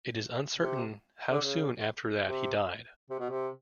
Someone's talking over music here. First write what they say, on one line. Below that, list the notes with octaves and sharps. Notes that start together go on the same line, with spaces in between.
It is uncertain how soon after that he died.
C3
D3
C#3
C3
C3
B2
C3